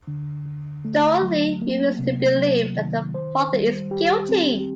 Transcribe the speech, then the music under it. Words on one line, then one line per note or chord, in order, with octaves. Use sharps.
Dorothy refuses to believe that her father is guilty.
D3
D3
A3
F#3
A#3
C3
F#3
D#3
C5
G3
G4
C4